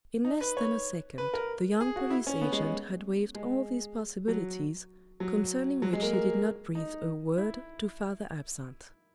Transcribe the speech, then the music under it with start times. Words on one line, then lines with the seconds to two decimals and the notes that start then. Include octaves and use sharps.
In less than a second the young police agent had weighed all these possibilities, concerning which he did not breathe a word to Father Absinthe.
0.25 D#4
0.41 B4
0.57 C#5
1.18 B4
1.34 A#4
1.81 G#4
1.96 F#4
2.10 E4
2.27 C#4
2.42 B3
2.52 G#3
2.62 G#3
3.35 G#3
4.28 F#3
5.20 F#3
5.82 F#3
5.93 G#3
6.02 A#3
6.13 A#3
6.75 D#4
7.38 E4